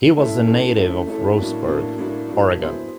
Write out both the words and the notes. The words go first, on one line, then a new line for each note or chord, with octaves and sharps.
He was a native of Roseburg, Oregon.
A3 C#4 E4 A4
A3 C#4 E4 A4
A3 C#4 E4 A4
A3 C#4 E4 A4
A2 F#3 A#3 D4
A2 F#3 A#3 D4
A2 F#3 A#3 D4
A2 F#3 A#3 D4
F#3 B3 E4 G#4 C5